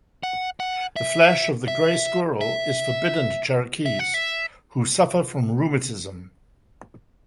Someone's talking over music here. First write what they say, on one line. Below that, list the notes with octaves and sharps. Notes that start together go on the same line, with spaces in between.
The flesh of the grey squirrel is forbidden to Cherokees who suffer from rheumatism.
F#5
F#5
E5
E5
E5
E5
F#5
E5